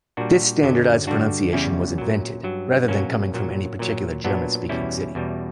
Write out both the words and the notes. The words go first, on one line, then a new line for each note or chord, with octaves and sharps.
This standardised pronunciation was invented, rather than coming from any particular German-speaking city.
A#2 G3 D4 F#4
F#2 D3 F#3
G2 D3 G3 D4 F#4
E2 C#3 G3 C#4 E4
A#2 F#3
G2 F#3
B2 F#3 A#3 C#4
A#2 F#3
A#2 F#3
A#2 F#3 B3 D4
E2 B2 G3 C#4 E4
E2 B2 G3